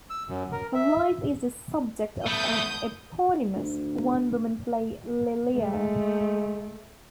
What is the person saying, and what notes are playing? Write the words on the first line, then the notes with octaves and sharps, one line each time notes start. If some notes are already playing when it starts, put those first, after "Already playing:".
Her life is the subject of an eponymous one-woman play Lilia!
E6
F#2
A#4
E5
A3 B3 D#6 G6
D2
G#3 A3